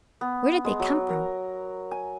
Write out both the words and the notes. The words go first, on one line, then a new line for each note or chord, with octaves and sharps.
Where did they come from?
B3
G#3
F#3
A#4
G#5